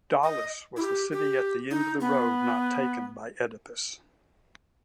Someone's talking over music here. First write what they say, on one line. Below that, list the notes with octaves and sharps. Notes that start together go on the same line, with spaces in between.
Daulis was the city at the end of the road not taken by Oedipus.
D#5
E4
G4
G4
D#4
B3